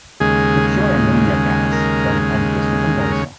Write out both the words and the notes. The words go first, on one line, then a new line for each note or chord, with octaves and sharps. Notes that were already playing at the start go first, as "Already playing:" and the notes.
The pure ammonia gas then enters the condenser.
D#2 C#3 G#3 G#4
A#4
A#4
C#5